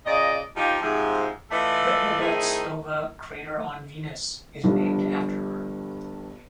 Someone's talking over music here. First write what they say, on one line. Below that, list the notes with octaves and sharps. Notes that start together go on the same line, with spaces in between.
The Udaltsova crater on Venus is named after her.
A#2 C#3 D5 D#5
F3 D#4 G4
G#2 C3 F3
E3 A3 F4 A4 D5 D#5
D#3 A3 C4 D#4 E4 G#4
G1 G2 D3 F3 G3